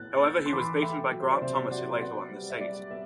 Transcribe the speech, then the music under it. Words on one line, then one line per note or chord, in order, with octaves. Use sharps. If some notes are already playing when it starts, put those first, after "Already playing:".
However he was beaten by Grant Thomas who later won the seat.
Already playing: A2 B3 F#6 A6
A6
B3 E6 G6
C6
E3 B5 D6
A3 E5 G5
F#3
C5
D5
C3 C5 E5
F#3 D5 F#5
B3 D5 F#5
G3
E5
G3 D5
B3 E5